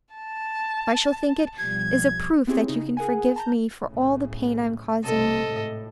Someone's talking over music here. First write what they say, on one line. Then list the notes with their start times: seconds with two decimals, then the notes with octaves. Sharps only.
I shall think it is a proof that you can forgive me for all the pain I am causing you.
0.14 A5
1.58 B1 F3 G3 G#6
2.47 B3 C4 E4 G4 G#4 C#5
2.68 C#3 D#4
2.97 G#4 A#4 F#5 G#5
3.36 A5 A#5 G6
3.83 B1 A2 C#3
5.04 B1 G2 C3 A4 D#5
5.44 G#1 A2